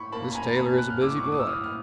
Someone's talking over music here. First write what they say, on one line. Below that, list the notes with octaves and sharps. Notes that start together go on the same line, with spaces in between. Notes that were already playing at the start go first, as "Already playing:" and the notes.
This tailor is a busy boy.
Already playing: A2 B5 C#6
A#3 A5 B5
B5
G#5 A#5
A#3 A5 B5
F#6
F6
A2 D6 E6
C#6
D6
D#6
E6
A2 D#6 F6
F6